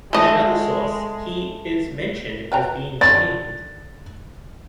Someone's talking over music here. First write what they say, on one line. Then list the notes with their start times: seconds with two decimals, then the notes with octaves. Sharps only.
In another source he is mentioned as being hanged.
0.13 G#3 A3 D#5
2.52 B4 G5 A#5
3.01 D3 D#3 A6